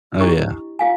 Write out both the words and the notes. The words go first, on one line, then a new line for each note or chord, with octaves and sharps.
Oh, yeah.
D4 E4 G4 D#5 C#6
F4 F5 G#5